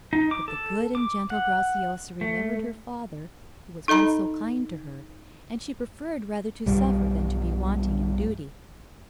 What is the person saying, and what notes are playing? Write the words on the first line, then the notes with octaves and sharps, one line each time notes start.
But the good and gentle Graciosa remembered her father who was once so kind to her, and she preferred rather to suffer than to be wanting in duty.
D#4
D6
A4
D6
F#5
A3
D#4 A4 D#5 A#5 B5
B1 G2 G3